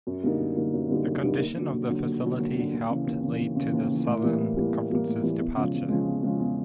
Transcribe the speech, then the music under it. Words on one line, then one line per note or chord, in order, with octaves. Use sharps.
The condition of the facility helped lead to the Southern Conference's departure.
F#2
D3 G3 A#3 D#4
F#2
D3 G3 A#3 D#4
F#2
D3 G3 A#3 D#4
F#2
D3 G3 A#3 D#4
D#2
D3 F#3
D#2
D3 F#3
D#2
D3 F#3
D#2
D3 F#3
D#2
C#3 E3
D#2
C#3 E3
D#2
C#3 E3
D#2
C#3 E3
A2
E3 G3 A#3
A2
E3 G3 A#3
A2
E3 G3 A#3
A2
E3 G3 A#3
E2
C#3 F3 G#3
E2
C#3 F3 G#3
E2
C#3 F3 G#3
E2